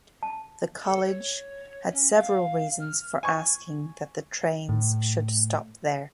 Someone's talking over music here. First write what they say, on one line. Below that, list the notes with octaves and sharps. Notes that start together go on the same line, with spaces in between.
The college had several reasons for asking that the trains should stop there.
A5
A4
C#5
C#4
F5
F6
G#5 C#6
A2